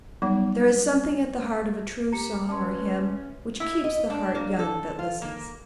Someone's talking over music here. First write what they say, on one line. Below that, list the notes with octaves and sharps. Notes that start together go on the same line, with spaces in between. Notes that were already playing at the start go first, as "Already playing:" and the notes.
There is something at the heart of a true song or hymn which keeps the heart young that listens.
F#3 G3 B3 D#4
G4 A#5 C#7
C#4 E4 B4 C#5 A5 C6
E4
D#5
D4
A#3
A4
F4
A#3